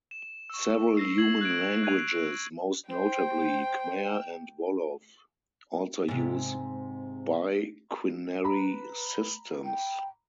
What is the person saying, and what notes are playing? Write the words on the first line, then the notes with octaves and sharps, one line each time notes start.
Several human languages, most notably Khmer and Wolof, also use biquinary systems.
E7
C#6 E6
E6 A#6 C7
G#6 C7 F#7
F#6 G#6 D7
F#6 G#6 D#7 F7
C5 G5
G#2 C3
B4 A#5 B5
G5